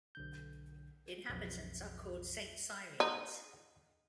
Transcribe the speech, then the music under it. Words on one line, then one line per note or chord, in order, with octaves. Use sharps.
Inhabitants are called "Saint-Cyriens".
B1 D3 G6
B1 F2
D#4